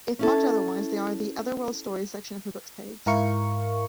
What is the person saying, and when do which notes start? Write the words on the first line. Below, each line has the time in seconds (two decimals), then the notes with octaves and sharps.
If marked otherwise, they are in the "Otherworld Stories" section of her "Books" page.
0.19 C#4 E4 A4
3.06 G#2 E4 A#4 F5 C#6